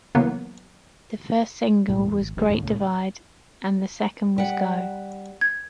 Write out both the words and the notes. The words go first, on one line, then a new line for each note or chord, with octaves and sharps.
The first single was Great Divide and the second was Go.
C#3 E3 F#3 A#3 B3
B1 A2 G#3
E2
G#1
E1 D#2 G3 G#3
D#2 A2
C2 A2 C#3
G3 F#5
G#6